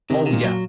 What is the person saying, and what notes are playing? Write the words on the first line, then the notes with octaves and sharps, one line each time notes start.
oh, yeah.
C3 D#3
D#3
A#2
F#3